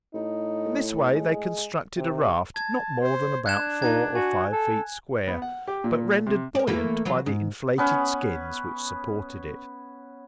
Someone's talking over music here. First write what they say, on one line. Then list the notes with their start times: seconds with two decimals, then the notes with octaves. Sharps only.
In this way they constructed a raft not more than about four or five feet square, but rendered buoyant by the inflated skins which supported it.
0.14 A2 D#4
1.13 G#3
1.97 C3
2.56 A5 G#6
3.01 C5
3.46 D4 F#6 G#6 E7
3.82 D#4 G#6
4.15 F#4 G#5
4.53 A4
5.27 B3
5.42 F#5
5.67 G4
5.84 A#2
6.26 C3
6.55 A#4 D5
6.67 E3 A3 A#3
7.05 E3 F#3 F4
7.26 G#2
7.78 B3 C#4 B4